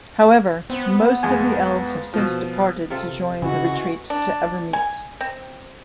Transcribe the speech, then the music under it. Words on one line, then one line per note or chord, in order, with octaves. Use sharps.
However, most of the elves have since departed to join the retreat to Evermeet.
B3 C4
F2 G#3 G#5
B2 F3
C3 F4 A4
C#3 E3 F#4 D#5
D4
G#5
C4